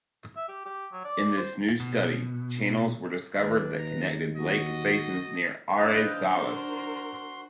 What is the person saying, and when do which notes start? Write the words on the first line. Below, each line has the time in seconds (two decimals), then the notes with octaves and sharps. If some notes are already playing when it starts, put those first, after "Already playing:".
In this new study, channels were discovered that connected lake basins near Ares Vallis.
0.36 E5
0.48 G4
0.65 G4
0.92 F#3
1.04 D5
1.37 C5
1.80 B2
3.40 D#2 D4 B4
3.78 A#5
4.37 F#4 D#5
5.78 D4 B4 C5 D#5 F5 G5
6.29 F#4 A#4 C6